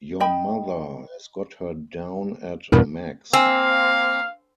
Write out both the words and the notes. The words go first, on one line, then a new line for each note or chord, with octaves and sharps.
Your mother has got her down at Meg's.
D#5 G5 B5
E2 G2 B2 A#4
A#3 C4 F5 G#5 E6